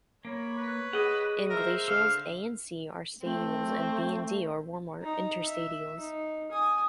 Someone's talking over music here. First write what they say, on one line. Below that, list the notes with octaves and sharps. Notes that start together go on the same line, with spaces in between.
In glacials a and c are stadials and b and d are warmer interstadials.
A#3 C#5 B5
B4
G#4 D#5 F#5
A#4 C5 E5
D3 A4 F5
A3 C4
D#4 A#5
E5
D#4
G#5 D#6